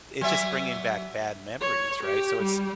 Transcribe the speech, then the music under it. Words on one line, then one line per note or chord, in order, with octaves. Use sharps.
it's just bringing back bad memories, right? So it's
F#3 B3 E5
C#5
G4
G3